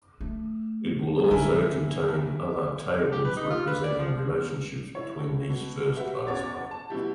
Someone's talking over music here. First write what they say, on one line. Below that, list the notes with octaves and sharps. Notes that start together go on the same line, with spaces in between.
It will also contain other tables representing relationships between these first class items.
A3
D3 E4 A#4 G#5
G4
B4
D#4
F4
B4
D5
F3
E4 C#5
B2
F#4 G4 B4 E5
E2 C#4 F#4 C#5 D6 A6
A5
B2 F#3 E4 G4